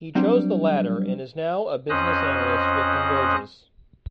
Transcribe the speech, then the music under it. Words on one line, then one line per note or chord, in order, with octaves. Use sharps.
He chose the latter, and is now a business analyst with Convergys.
F#3 G3 C4 D4
F2 C#4 C5 D#5 D#6 F#6